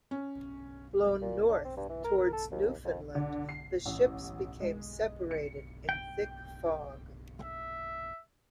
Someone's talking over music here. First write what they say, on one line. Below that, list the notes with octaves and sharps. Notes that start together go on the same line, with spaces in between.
Blown north towards Newfoundland, the ships became separated in thick fog.
C#4
A#2
D4
C4
G2
E3
A#4
A#4
A4
D#2
F2
D3
C7
A1
G#3
C#7
G5
E5